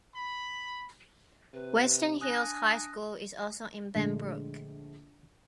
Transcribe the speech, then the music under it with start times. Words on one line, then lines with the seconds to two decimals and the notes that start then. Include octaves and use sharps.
Western Hills High School is also in Benbrook.
0.14 B5
1.54 C3 B4
2.21 D4 G#5 D#6 F#6 A#6
3.95 A#1 D3 G#3 A3